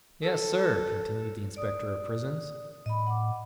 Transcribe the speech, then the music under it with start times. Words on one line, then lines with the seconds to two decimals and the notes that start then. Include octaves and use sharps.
"Yes, sir," continued the inspector of prisons.
0.22 A4
1.56 D5 D#6
2.86 A2 D#5 B5
3.07 F#5 D6